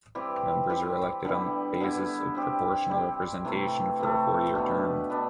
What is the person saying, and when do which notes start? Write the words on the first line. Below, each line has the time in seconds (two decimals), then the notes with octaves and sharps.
Members are elected on the basis of proportional representation for a four-year term.
0.15 E3 G3 C4 G4
0.70 E3 G3 C4 G4
1.25 D3 G3 B3 E4
1.81 D3 G3 B3 E4
2.35 G3 C4 G4
2.89 G3 C4 G4
3.45 C3 E3 A3
4.00 C3 E3 A3
4.55 B2 B3 D4
5.10 B2 B3 D4